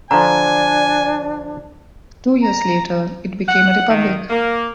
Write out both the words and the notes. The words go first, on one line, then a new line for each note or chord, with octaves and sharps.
Two years later it became a republic.
D3 F3 D4 G#5 A#5 C#6
A#5
F#5
D#3
A#3